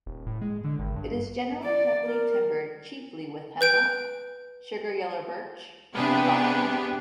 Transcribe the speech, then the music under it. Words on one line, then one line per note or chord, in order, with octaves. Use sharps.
It is generally heavily timbered chiefly with Hemlock, Sugar Yellow Birch, and Rock Elm.
D#1
A2
G#3
D3
G#1
G2
D5
A#4
B4 G6 D7
C3 B3 D4 G4 G#4